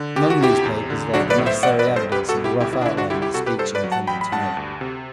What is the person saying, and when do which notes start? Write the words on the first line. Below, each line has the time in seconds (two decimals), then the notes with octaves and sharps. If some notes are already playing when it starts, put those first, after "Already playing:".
Among these papers lay the necessary evidence and a rough outline of the speech he intended to make.
Already playing: D3
0.16 D2 G4
0.30 F#4
0.41 C3 E4 G4
0.66 E2
0.90 D3
1.14 B1 D4 F#4
1.30 B4 D5
1.38 A2
1.46 C5 E5
1.63 A1 D5 F#5
1.79 B4 D5
1.88 G2
1.96 A4 C5
2.12 C2 G4 B4
2.29 F#4 A4
2.37 B2
2.44 E4 G4
2.61 D2 E4 G4
2.73 E4
2.81 D4
2.86 D3 E4
2.97 D4 F#4
3.10 C2 E4 G4
3.22 E4 G4
3.34 C3 F#4 A4
3.46 G4 B4
3.58 G2 A4 C5
3.75 B4 D5
3.84 F#3
3.92 F#5 A5
4.07 A1 G5 B5
4.21 B5
4.32 G2 F#5 A5
4.57 D2
4.81 C3